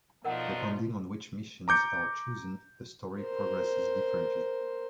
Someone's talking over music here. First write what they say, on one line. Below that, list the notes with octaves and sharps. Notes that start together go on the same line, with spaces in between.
Depending on which missions are chosen, the story progresses differently.
B2 F3 A3 D4 D#4 F4 A#4 F#5
A#5 D6 G6 C#7
A#4 C5